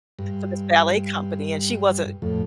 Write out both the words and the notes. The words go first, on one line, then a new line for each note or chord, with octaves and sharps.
for this ballet company, and she wasn't,
G2
F2 A2